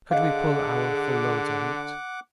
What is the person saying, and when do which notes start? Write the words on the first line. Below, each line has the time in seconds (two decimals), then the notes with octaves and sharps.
Could we pull our full loads or not?
0.11 D3 G#4 D#5 F5 F#5 D6